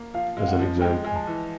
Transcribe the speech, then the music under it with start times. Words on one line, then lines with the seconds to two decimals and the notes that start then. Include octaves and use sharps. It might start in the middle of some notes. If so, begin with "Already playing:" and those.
As an example.
Already playing: A#3
0.14 F3 F5
0.37 G#3 F5
0.48 F#5
0.59 F3
0.81 G#3 G5
1.05 G#3 G#5
1.16 A5
1.27 E3